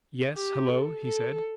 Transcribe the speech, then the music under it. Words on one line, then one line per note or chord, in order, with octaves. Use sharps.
"Yes--hello!" he said.
G4
A4
A4